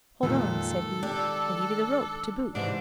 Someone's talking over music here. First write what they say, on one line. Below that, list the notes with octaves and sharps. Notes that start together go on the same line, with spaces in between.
"Hold on," said he, "I'll give you the rope to boot."
F2 A#2 D#3 G#3 A4
D4 G4
G#2 C3 E3 D4